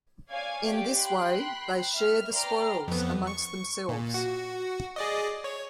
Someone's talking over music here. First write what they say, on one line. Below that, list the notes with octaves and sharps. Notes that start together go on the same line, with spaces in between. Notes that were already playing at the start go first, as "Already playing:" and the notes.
In this way, they "share the spoils" among themselves.
C#5 D5 F5 G#5 G#6
G4 D5 G5
G5 B5 C6 F#6
E5 F6
B4 D5 G5 A#5 C6 F6
F2 B3
C#6
A#2
F#4
G#4 D5 D#5
C#5